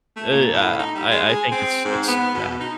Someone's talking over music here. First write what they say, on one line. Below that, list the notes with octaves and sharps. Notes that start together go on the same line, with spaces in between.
Eh, uh, I I think it's it's bad.
A3
A#2
A2
D#4
G3
G#3
G#4
C4
G#2
B3
B2
D#4